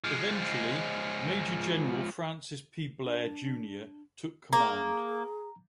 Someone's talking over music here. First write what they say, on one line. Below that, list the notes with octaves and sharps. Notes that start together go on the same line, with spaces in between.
Eventually Major General Francis P. Blair, Junior took command.
F3 G#3
D4
A#3 G#4 A#5